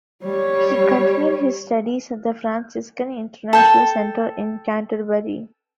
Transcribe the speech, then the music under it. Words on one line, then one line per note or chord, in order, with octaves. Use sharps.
He continued his studies at the Franciscan International Centre in Canterbury.
G3 C#5
A4 G5